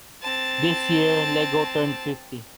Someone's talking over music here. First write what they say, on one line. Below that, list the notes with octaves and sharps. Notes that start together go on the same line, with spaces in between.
This year, Lego turned fifty.
C4 A5